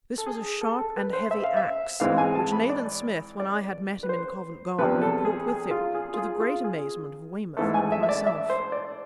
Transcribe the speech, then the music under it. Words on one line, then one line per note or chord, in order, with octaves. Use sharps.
This was a sharp and heavy axe, which Nayland Smith, when I had met him in Covent Garden, had brought with him, to the great amazement of Weymouth and myself.
A4
G#4
A4
A4
B4
C5
E5
F5
E5
G#2 E3 G#3 C4 F5
G#5
A5
B5
D5
D5
B4
C5
E2 C3 F3 B4
A4
G#4
G#4
F4
G#4
F4
G#4
F4
G#4
G#2 E3 A3 A4
G#5
E5
E5
D5
E5
C5
D5